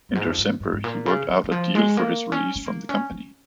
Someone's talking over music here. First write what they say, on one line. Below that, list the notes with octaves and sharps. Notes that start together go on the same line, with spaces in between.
In December, he worked out a deal for his release from the company.
F2
G#2
F2
G#2
G#2
G#2
A#2
C#3
D#3
D#3
F3
G#3
A#3
C#4
C#4
A#3
C#4
C#4